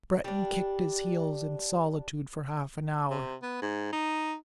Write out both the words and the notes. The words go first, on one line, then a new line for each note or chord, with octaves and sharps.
Breton kicked his heels in solitude for half an hour.
G3 D4
C3
B3
G#2
D#4